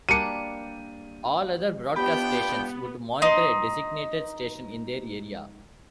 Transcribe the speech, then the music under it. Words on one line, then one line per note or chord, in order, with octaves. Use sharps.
All other broadcast stations would monitor a designated station in their area.
G3 A#3 D4 C#7 D#7
B3 D4 F4 G4 G5 B5
D#4 C6